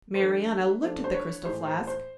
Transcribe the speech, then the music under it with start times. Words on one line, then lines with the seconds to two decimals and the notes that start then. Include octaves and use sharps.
Marianna looked at the crystal flask.
0.15 C5
0.20 F3 A3 D4 B4
0.83 F3 A3 D4 C5
1.04 C5
1.14 B4 C#5
1.44 A2 E3 G#3 C5
1.66 C5
1.87 C5